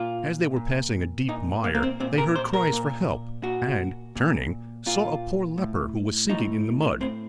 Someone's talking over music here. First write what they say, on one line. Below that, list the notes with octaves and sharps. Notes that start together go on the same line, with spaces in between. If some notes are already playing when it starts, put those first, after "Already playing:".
As they were passing a deep mire they heard cries for help, and turning, saw a poor leper who was sinking in the mud.
Already playing: A#2 F4
A#2
A#2 D#4
A#3
A#3
C4
A#2 C4
A#4
C5
A#4
A#2
A#2 F#4
A#2
A#2 F4
A2
A2 D#4
A2 C4